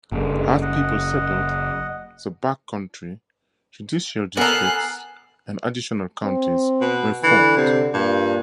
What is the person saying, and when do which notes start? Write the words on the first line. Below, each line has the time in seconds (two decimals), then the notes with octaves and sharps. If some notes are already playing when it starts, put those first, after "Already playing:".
As people settled the backcountry, judicial districts and additional counties were formed.
0.12 F#1 G2 D3 G#3
0.62 D#5 F#5
4.37 B3 A4 A#4 G#5 A#5 F#6 C7
6.24 C4
6.81 B2
7.24 D3 E3
7.57 C3
7.94 G2 A#2